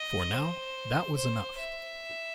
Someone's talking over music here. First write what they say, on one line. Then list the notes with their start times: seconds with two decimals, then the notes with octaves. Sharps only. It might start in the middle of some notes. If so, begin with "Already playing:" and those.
For now, that was enough.
Already playing: D#5
0.33 C5
1.16 C5
1.58 E5